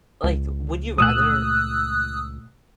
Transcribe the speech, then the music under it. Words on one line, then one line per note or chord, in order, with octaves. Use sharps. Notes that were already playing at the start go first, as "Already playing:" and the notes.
Like, would you rather
C#2
A#2 A3 D#6 E6 F#6